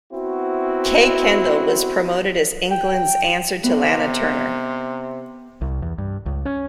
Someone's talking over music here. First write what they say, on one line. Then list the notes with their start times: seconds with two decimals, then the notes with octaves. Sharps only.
Kay Kendall was promoted as England's answer to Lana Turner.
0.13 B3 C4 E4 F#4
2.71 G5
3.64 C3 B3
5.61 C2
5.82 E2
5.98 G2
6.26 C#2
6.45 C#4